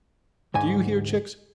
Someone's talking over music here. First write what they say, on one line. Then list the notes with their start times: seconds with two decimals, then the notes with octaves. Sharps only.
Do you hear, chicks?
0.54 D2 G#2 G#5